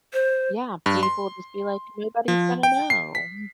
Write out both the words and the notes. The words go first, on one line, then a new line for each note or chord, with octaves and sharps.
Yeah, people just be, like, nobody's gonna know, mm.
C5
G2
C6
F3
G5
C7
B6